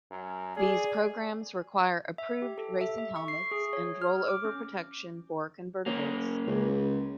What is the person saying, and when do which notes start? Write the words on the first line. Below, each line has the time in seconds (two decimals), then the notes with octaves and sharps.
These programs require approved racing helmets and rollover protection for convertibles.
0.11 F#2
0.56 G#4 D5
2.18 E5
2.42 G4
2.58 A4
2.81 E5
2.98 E5
3.16 C#6
3.28 C7
3.51 G#4
3.73 C#5
4.02 F6
4.28 D6
4.45 C#4
5.86 A#3 C#4
6.47 C#2